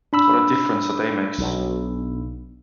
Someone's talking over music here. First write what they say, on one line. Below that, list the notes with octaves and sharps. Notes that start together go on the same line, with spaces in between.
What a Diff'rence a Day Makes!
D4 B5 E6
B1